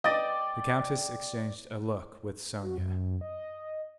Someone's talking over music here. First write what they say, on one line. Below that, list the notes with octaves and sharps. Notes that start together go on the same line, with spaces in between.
The countess exchanged a look with Sonya.
D5 D#5 G5
F#4
F#2
D#5